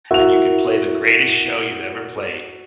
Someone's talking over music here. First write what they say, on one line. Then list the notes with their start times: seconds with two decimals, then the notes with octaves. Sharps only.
and you could play the greatest show you've ever played,
0.11 E4 F#4 A#4 E5 F7